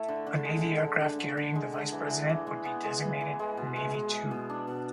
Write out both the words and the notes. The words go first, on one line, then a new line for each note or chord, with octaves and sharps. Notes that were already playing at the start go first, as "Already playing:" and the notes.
A Navy aircraft carrying the Vice President would be designated Navy Two.
Already playing: A3 E4
D3
D3
G#3
D3
D3
D3
D3
D3
G#3
D3
E3
E3
E3
G#3
B3
G#3
E3
E3
G#3
B2
G#3
G#3
G#3
B2
D4
B2